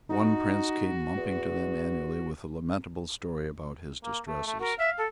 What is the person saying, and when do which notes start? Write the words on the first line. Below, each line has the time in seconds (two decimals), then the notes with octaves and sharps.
One prince came mumping to them annually with a lamentable story about his distresses.
0.10 D#4 F#4
1.17 E2
4.04 A#3
4.27 A3
4.46 A3
4.60 F#4 A#4
4.78 E5 F5
4.98 A4